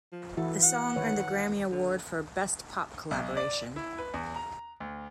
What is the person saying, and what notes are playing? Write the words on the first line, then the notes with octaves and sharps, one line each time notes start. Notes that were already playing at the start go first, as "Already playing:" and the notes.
The song earned the Grammy Award for "Best Pop Collaboration".
F3
E3 E4 F#4 A4
F#5
D#3 B4 C#5
D3
B1
D5
E4
B4
E2
A#5
D2